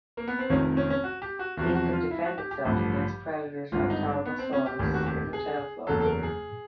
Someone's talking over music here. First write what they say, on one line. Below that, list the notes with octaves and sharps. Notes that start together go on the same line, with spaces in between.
It could defend itself against predators like "Tarbosaurus" with a tail-club.
A#3
B3
C4
F1 F2 C3 D#3 C#4
C#4
C#4
F#4
G4
F#4
E2 C3 F3 F#4
F#4
F4
E4
F#4
G4
G4
A1 G2 D3 F3
G#1 G2 D3 F4
D#4
D4
B3
C4
C#4
G4
F1 D#2 D#3 G4
F#4
G4
G#4
F#1 E2 C#3 F#3 A4
A4
A#4
G#4